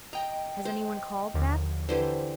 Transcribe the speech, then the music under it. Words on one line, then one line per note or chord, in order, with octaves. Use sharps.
Has anyone called, Beth?
D#5 G5 A#5
C5
D#2 D3 F3
D3 E3 G4 C5